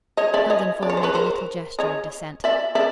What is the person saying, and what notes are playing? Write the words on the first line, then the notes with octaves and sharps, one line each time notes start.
Heldon Foyle made a little gesture of dissent.
C#5 D#5
D5 E5
C#5 D#5
D5
C#5
C5
B4 C#5
A#4 C5
C#5 D#5
D5 E5
D5 E5